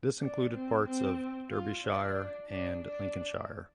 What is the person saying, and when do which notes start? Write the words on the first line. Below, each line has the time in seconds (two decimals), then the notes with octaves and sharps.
This included parts of Derbyshire and Lincolnshire.
0.20 D4
0.52 C4
0.84 C4
1.50 F4
1.83 D4
2.48 D4
2.80 D4